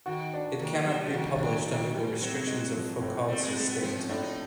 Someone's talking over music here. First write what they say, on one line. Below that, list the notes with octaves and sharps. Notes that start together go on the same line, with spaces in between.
It cannot be published under the restrictions of Foucault's estate.
D#3 F#4
D4
D#3 A#3
F3
F#3 G3
F3
D#3 F#4
D3
D#3 D4
D#3 A#3
E3 G3
F#3 C4
G#3
F3
A2
G3 C4
G#3
G#3 A3
B3
F3 C4
C#4
A2 D4
D#4